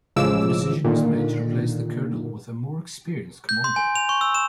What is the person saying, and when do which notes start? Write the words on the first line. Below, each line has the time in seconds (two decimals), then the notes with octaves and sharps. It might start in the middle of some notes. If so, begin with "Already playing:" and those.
The decision was made to replace the colonel with a more experienced commander.
0.16 A1 C#3 F3 G#3 D6 E6
0.84 A#2 D3 D#3
3.49 G6
3.64 C6
3.76 G#5
3.96 F7
4.09 C#6
4.21 E6
4.35 E7